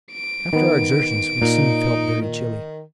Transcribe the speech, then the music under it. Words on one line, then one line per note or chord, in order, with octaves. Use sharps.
After our exertions we soon felt very chilly.
D7
D#3 B3
A#2 D#4
D#3